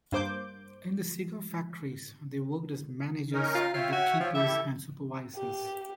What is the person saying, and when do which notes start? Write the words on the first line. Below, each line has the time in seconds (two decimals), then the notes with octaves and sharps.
In the cigar factories, they worked as managers, bookkeepers, and supervisors.
0.12 G2 A#3 C5 D6 G6
3.33 C#4 D#4 A#4
3.55 F4
3.74 F4 C#5 E5 G5
3.92 F#4
4.20 F3
4.34 E4 G4 A4 E5
5.36 G4